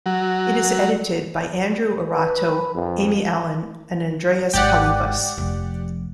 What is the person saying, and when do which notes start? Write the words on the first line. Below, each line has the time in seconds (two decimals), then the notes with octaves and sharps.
It is edited by Andrew Arato, Amy Allen, and Andreas Kalyvas.
0.06 F#3
2.13 B4
2.75 F2
4.54 G#1 G#2 G4 D5 F#5
5.38 F1 F3